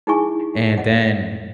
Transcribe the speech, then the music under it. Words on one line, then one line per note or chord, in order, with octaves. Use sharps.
And then
D#4 E4 G#4 E5 G#5 C#6
D#5 F#5